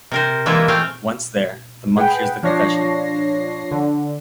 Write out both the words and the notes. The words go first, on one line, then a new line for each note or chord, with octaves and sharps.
Once there, the monk hears the confession.
C3 A#4 C5
E3 G#3 A#3 E4 F4
A3 C4 F4 F5 G5
G#4 B4 F#5 G5
F3 D4 C#5 A#6 C7
D3